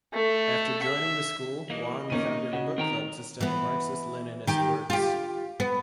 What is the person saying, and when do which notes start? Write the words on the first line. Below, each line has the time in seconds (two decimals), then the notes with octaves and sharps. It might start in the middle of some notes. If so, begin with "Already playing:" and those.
After joining the school Wan founded a book club to study Marxist-Leninist works.
0.13 A3
0.83 E5
1.70 E3 A#3 D#5
2.10 A#2 D#3 A#3 C#4 D#4 D#7
2.53 C#3 F#4
2.78 D#3 C4 G5 A#5
3.41 E3 B3
4.47 D#3 G4
4.90 F4 G4
5.60 B3